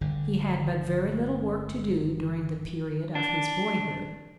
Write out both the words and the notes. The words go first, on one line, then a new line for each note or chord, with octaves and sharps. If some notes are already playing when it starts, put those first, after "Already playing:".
He had but very little work to do during the period of his boyhood.
G1 D3
D4